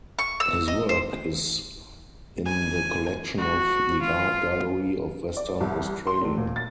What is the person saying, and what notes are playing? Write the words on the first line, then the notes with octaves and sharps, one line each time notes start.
His work is in the collection of the Art Gallery of Western Australia.
C#6
E6
D#5
C5
G#5
F#4
F4
D5
C2
C6
F1
A#2
A6